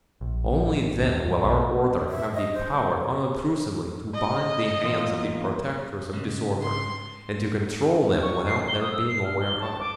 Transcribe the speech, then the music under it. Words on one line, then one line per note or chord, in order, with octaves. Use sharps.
Only then will our order have the power unobtrusively to bind the hands of the protectors of disorder and to control them without their being aware of it.
A#1
A1
D#2
G#2
B1
E5
D#5
C5
D#5
E2 A#3 F4
G#2 C#3
C6
C#6
C7
G7
D#6
E6
C7
F6
G7
A5
D6